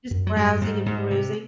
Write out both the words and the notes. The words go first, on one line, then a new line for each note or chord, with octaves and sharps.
Just browsing and perusing.
F#2
F#3
G#2 G3
G#2
G#2
C3